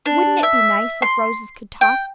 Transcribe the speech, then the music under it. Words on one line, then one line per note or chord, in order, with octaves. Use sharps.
Wouldn't it be nice if roses could talk?
D4
E5
C6
G5